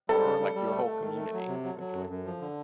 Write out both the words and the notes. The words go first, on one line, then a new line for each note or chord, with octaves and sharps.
for, like, your whole community, essentially.
G3 A4
C#3
G3
G3
A3
A3
D#3
A3
F#3
C3
F#3
F#3
F#2
F#2
F3
D3